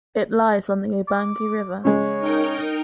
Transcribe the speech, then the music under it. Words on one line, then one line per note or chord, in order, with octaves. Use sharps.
It lies on the Ubangi River.
D6
C#3 G#3 C#5
D#4 A#4 G5